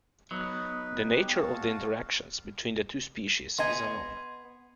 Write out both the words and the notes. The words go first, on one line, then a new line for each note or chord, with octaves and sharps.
The nature of the interactions between the two species is unknown.
F#3 B3 D#4 B4 D#6
C#4 G4 G#4
G#3 F#4 F5 A5
B3 D#5 G#5 C6 G#6